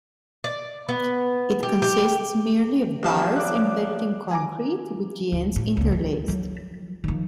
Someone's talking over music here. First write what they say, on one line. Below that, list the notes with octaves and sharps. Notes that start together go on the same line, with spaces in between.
It consists merely of bars embedded in concrete, with the ends interlaced.
D5
B3
G4
G4
B1 F3 G4 A5
C#5 D5 D6 F#6
G#5 A#5 D6
D1
A2
C#2 A#3
G#3
F3 F#3
D#3 F3